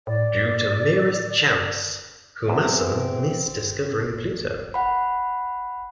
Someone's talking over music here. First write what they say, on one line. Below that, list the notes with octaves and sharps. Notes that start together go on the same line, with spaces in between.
Due to merest chance, Humason missed discovering Pluto.
A2 D5
E2 C4
F#5 B5